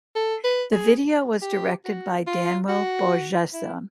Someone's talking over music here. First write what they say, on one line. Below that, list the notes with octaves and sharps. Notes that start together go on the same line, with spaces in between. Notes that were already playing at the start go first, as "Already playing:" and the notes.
The video was directed by Daniel Borjesson.
A4
B4
G#4
G4
F#4
F4
F#4
E4